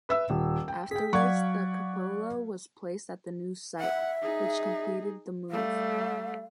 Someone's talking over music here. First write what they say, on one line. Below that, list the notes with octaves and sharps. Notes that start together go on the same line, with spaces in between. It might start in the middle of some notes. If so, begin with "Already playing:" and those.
Afterwards the cupola was placed at the new site, which completed the move.
B4 E5 E6
D#1
G5
G#4 G5 B6
F#3 D5 F5 F#5 C#6 G#6
E5 F#5
D#4 G#4
G3 A3 F5